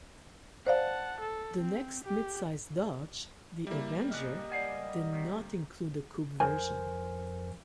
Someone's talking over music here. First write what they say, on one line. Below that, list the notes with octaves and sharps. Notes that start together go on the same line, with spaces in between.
The next midsize Dodge, the Avenger, did not include a coupe version.
C5 D5 F5 F#5 A5
A4
C4
G4
G3 A#3 E4
C2 A2 C#3 D#5 F6 F#6
C#2 D5 F5 F#5 G#5
D2 C3 D#3
F2 A#4 C5 G#5